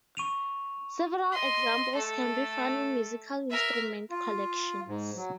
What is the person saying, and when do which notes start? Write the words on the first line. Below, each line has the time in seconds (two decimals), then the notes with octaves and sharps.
Several examples can be found in musical instrument collections.
0.17 C#6 D#7 F7
1.32 D#5 C6
1.95 A3 A4
3.50 A#4 E5
4.10 F4
4.88 G#2
5.16 F#3